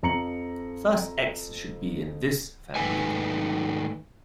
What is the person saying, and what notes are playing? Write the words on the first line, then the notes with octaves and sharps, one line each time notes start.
Thus "X" should be in this family.
F2 A#5 C#7 F#7
G#2 D#3 A3 D#4 B4 G#5